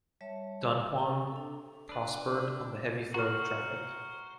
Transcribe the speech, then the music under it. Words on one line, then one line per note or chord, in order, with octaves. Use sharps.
Dunhuang prospered on the heavy flow of traffic.
G3 C#5 E5 A5
C4 G4 C#6 E6
D4 A4
D4 B4
F#4 C5 A#5 F6